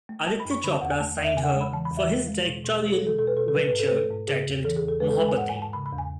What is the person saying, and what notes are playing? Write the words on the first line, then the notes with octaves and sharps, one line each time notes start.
Aditya Chopra signed her for his directorial venture titled "Mohabbatein".
A3
F#3 A5
B5
F#2
C#6
D3 B5
A5
E2 F#5
G#5
A3 A5
E2 D5
E5
C#3 G#5
F#5
G#5
G#3
B5
E3 A5
B5
E2
E5
G#3
G#3
B2
B2
G#3 G#4
A4
G#3
A4
B2 A4
B4
B2 A4
A4
F#3 B4
B4
G#2
A4
B4
A3 A4
G#2
C#3 G#4
E2
E3 A4
G#4
E2
A4
G#3 B4
A4
G#3 B4
G#5
G#2 F#5
G#5
G#2
A5
C#3 B5
B5
E2
G#5